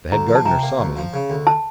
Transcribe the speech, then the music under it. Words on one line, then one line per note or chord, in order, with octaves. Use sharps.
"The head gardener saw me?"
D2 A#5
F3
A5
C3 A#5
A#3
D2
F3
C#3
D2
A5